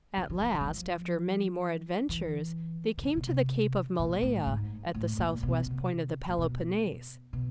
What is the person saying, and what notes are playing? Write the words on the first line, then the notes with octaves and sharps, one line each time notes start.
At last, after many more adventures, they came to the Cape of Malea, at the southwest point of the Peloponnese.
E3
F3
E3
D#3
F#3
F3
E3
D3
C#3
B2
C3
A#2
A2
G#2
A2
A#2
B2
C3
A#2
B2
B2